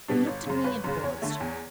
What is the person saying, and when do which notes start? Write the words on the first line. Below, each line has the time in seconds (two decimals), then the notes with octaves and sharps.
He looked at me and paused.
0.08 B2 G3 B3 D4
0.27 G1
0.46 F#2 C#3
0.64 G1 B4
0.84 F#2 C#3
1.03 E2 C#5
1.22 D3 A3
1.40 E2